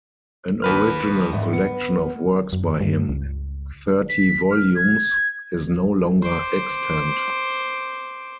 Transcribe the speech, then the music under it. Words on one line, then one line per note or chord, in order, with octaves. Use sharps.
An original collection of works by him, in thirty volumes, is no longer extant.
D#2 B4 F6
E2 G#2 D#3
B3 C#7
F#2
G2
C#2
B6
F6
G#6
C5 D6